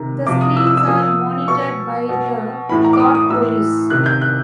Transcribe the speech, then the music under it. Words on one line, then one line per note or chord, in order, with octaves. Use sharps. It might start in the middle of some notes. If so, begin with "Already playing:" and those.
The screens are monitored by the Thought Police.
Already playing: C3 D#3 A#5
C3 F3 D6
D#6
E6
E6
E6
A#2 F3 D#6
B2 C#6
B2
A2 E3 B5
A#5
D6
D#6
D#6
A2 E3 E6
C3 D#3 F#6
G6
F#6